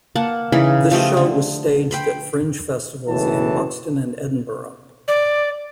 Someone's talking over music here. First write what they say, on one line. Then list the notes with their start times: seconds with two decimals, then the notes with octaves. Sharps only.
This show was staged at fringe festivals in Buxton and Edinburgh.
0.15 A#3 F#5 A5
0.52 C#3 E3 D#4 B5
0.91 F3 A3 G4 D#5
1.17 D3
1.91 G5 B5 C6
3.08 F#1 B1 A2 E3 A5
5.08 D5